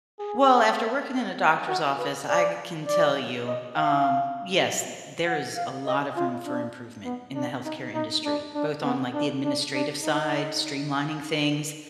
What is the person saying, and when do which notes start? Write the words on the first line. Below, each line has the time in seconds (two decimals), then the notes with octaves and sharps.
Well, after working in a doctor's office, I can tell you, um, yes, t there is a lot of room for improvement in the health care industry, both on, like, the administrative side, streamlining things,
0.19 G#4
1.68 F#4
1.98 B4
2.28 D5
2.87 D5
3.48 D#5
3.76 F5
5.26 F#5
5.56 F5
5.86 D#5
6.16 F4
6.46 D4
7.05 B3
7.35 D4
7.64 D#4
7.94 D#4
8.25 D4
8.55 D4
8.84 B3
9.14 D4
9.44 D4
9.74 D4
10.03 D#4